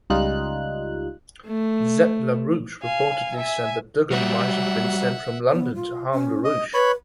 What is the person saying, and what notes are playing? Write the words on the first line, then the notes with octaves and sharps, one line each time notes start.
Zepp-LaRouche reportedly said that Duggan might have been sent from London to harm LaRouche.
C#2 G3 D#4 F4 F#6
A3
F5 G#5
E5 G#5
F#3 G3 E5 F#5
B3
F4
C#4
D#5
B4 C#5 B5